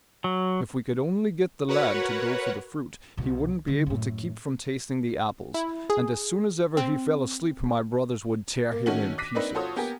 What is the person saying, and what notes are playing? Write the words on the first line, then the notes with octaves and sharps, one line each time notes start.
If we could only get the lad to go for the fruit, he wouldn't be able to keep from tasting the apples, and as soon as ever he fell asleep my brothers would tear him in pieces.'
F#3
F#4 A#4 B4 C#5 F#5
C2 B2
D3 G3
F#2 A2
E4
G#4
C4
A#3
D#3 A3 C#4 F#4 F#7
D6 F#6 A#6 B6 D#7
A#3 C4 D4 D#4 B4
F4 F#4 A4 C5 C#5 D#6
A#3 B3 G4 A#4 G#5